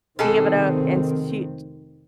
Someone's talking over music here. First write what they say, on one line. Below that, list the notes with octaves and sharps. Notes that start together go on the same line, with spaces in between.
be able to institute
F1 B2 D#3 C4 G#4 A4